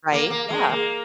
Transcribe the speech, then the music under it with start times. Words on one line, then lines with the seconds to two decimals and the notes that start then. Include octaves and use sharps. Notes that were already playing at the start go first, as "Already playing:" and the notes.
Right, yeah.
0.12 A#3
0.30 A#3
0.50 G#3
0.69 A#3